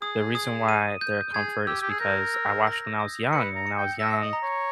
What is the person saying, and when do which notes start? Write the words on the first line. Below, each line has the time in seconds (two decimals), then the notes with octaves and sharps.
the reason why they're a comfort is because I watched when I was young, and when I was young,
0.02 G#4 D#6
0.35 D#6
0.69 D#7
1.01 G6
1.34 G#4 G#6
1.67 G4 E6
1.82 G4
1.90 G#4
2.00 A#4 G6
2.34 E6
2.67 A#6
3.00 D#6
3.33 B4 C#7
3.55 A#5
3.67 C#7
3.78 G5
3.99 E5 A#6
4.22 D#5
4.33 A#5
4.43 C#5